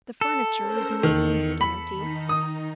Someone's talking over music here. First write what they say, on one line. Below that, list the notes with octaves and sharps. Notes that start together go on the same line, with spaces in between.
The furniture was mean and scanty.
A4
C#4 A#4 C5
E2 D#3 C#7
B5
D#3 D#4
D#6